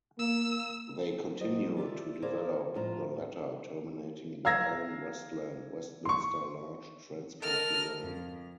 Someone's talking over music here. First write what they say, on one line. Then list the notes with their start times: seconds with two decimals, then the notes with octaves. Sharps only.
They continued to develop the latter, terminating their own Westland Westminster large transport design.
0.19 A#3 E6
1.41 F#3 C5 D#5
1.77 F4 G4 D5 E5
2.22 E4 G#4 A#4 C5 D5 F5
2.75 F2 A2 F4 C5 A#5
4.45 F5 A#5 E6 G#6 A#6
6.05 C6 C#6
7.42 A4 A#4 D#5 F6
7.99 F2